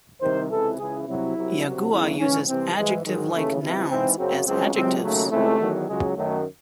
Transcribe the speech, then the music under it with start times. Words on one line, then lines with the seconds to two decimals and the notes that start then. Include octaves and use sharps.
Yagua uses adjective-like nouns as adjectives.
0.21 C2 C3 D#3 C5
0.49 C#2 C3 E3 A4
0.78 C#2 C#3 E3 G#4
1.06 C2 C3 F#3 E4
1.35 C2 C3 F#3
1.63 C2 C3 F#3
1.91 E2 C#3 F#3 E4
2.19 G#2 E3 C#4
2.47 C2 C3 E3 C4
2.76 G#2 E3 G#3
3.05 G#2 D#3 F#3 G#3
3.33 D#2 C#3 E3 A3
3.61 C#2 C3 E3
3.89 G#2 E3 C4
4.17 F#2 C#3 F#3 C4
4.46 C#2 C#3 F#3 C4
4.74 C#2 C3 F#3 C4
5.03 D#2 C#3 F#3 A3
5.31 C#2 C3 E3 A3
5.59 E2 D#3 F#3
5.87 C#2 C#3 F#3 G#3
6.16 F#2 D#3 F#3 A3